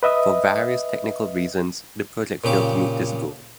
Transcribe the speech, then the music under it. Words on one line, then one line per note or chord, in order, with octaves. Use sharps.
For various technical reasons the project failed to meet this goal.
B4 D#5 E5 D#6
A#2 C#3 G4 D6